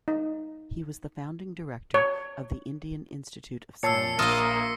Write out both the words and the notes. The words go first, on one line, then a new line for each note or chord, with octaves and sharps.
He was the founding director of the Indian Institute of Science.
D#4
C#5
A#2 C#5 A5 E6 C7 C#7
A#1 A#3 F4 D#5 D#6 A#6 E7